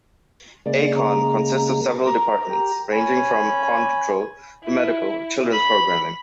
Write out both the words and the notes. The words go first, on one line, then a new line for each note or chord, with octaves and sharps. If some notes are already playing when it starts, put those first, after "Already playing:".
A-Kon consists of several departments, ranging from Kon Patrol to Medical to Children's Programming.
C#3 G#3 A#3 D5
A#5
A#4 A#5
G4
C#4 G#5 B5
E4
B5